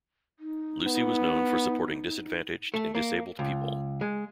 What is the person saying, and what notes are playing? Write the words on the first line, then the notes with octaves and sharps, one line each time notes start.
Lucy was known for supporting disadvantaged and disabled people.
D#4
B3
A3
A#3
C#2
G#3